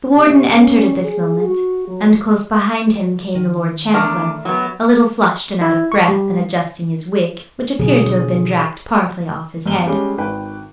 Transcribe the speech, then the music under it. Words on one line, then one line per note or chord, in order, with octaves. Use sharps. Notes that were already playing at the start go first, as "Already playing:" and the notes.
The Warden entered at this moment: and close behind him came the Lord Chancellor, a little flushed and out of breath, and adjusting his wig, which appeared to have been dragged partly off his head.
C3
C#4
G#4
F#4
F#3
D#3
E2 A3 D4 A#4
F#3 B3
E4
C#6
G3
B2 D3 F#3 G#4
G1 G7
G3 G#3 C#4
G#1 D#3 B4 G5